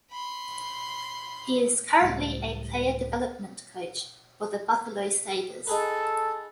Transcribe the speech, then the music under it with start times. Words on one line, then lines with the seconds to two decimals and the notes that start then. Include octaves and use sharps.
He is currently a player development coach for the Buffalo Sabres.
0.11 B5 C6
1.99 C#2 A2 G3 A6
5.67 D#4 G#4 A4 B4